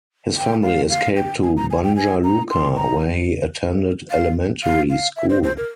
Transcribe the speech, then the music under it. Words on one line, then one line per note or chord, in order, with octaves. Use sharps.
His family escaped to Banja Luka, where he attended elementary school.
G5
F5
F5
G5
G#5
A#5
G#5
G5
G#5
A#5
C6
A#5
F5
F5
F5
E5
C5
C5
A#4